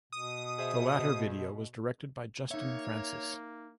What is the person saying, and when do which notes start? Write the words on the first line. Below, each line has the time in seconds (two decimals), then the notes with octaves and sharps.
The latter video was directed by Justin Francis.
0.12 B2 D#6
0.58 G#4 C5 E5
2.51 A#3 D#4 C#5 E5